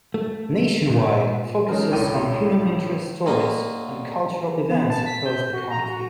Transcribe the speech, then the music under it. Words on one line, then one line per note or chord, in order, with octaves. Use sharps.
"Nationwide" focuses on human interest stories and cultural events across the country.
A3
A#2
G#3 C#4 D#4 F#4 A4 A#4
C#2 A2 C#5 D5 G5 D#7
A2 D3 A#3 D#5
B3
A5
B6
G6
F#4
A#5
F#4